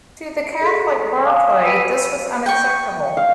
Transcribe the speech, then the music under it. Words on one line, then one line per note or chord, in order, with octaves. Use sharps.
To the Catholic Barclay, this was unacceptable.
G#4 A4 B6
F5 G#5 D#6
B4 G5 B5 E6 B6 D#7
G5 C#6
F5